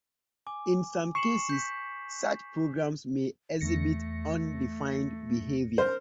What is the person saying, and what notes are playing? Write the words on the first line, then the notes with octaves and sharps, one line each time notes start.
In some cases, such programs may exhibit undefined behavior.
G#5 D6
C#6 C7 C#7 E7 F#7
G6 B6
E2 A3 A#6 C#7
A#4 C5